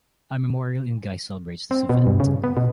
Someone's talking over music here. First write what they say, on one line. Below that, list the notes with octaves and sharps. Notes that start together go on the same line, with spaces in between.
A memorial in Guise celebrates this event.
C4
B2
G2
C#3
B3
B2